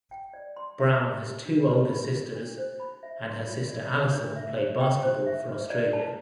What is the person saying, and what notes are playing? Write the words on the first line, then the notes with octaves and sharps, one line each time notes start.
Brown has two older sisters and her sister Allyson played basketball for Australia.
G5
D5
C6
E5
B4
G4
D4
B4
B5
G4
D4
C5
B5
E5
C6
F4
D5
A4
D4
E5
C5
G5
C5
E5
B4
D5
A5